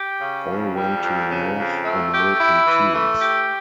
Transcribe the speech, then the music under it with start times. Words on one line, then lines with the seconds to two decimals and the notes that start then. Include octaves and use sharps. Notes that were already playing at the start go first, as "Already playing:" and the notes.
All went to North American teams.
Already playing: G4
0.20 C#3
0.47 F2
0.75 G3
1.03 F2
1.30 C#3
1.57 F2
1.84 A3
2.12 G4
2.39 E4
2.66 E3
2.93 A3
3.21 G4